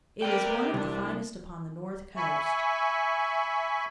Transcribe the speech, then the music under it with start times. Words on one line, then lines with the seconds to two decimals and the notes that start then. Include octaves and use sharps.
It is one of the finest upon the north coast.
0.22 C3 A#4 B4 D5 G5
0.74 C2 D4
2.16 E5 G#5 B5 C#6